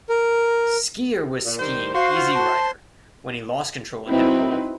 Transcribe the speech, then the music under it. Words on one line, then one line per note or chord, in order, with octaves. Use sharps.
Skier was skiing Easy Rider when he lost control and hit a pole.
A#4
A#2
D#3 G3 C5
F#4 C5 F5 C6
F4
A5
F#3 C4 D#4 E4 B4